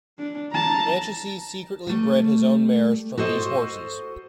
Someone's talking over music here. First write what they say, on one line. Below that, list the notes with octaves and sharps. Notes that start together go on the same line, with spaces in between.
Anchises secretly bred his own mares from these horses.
D4
A5 A#5
G3 A3
F#4 A4 C5 D#5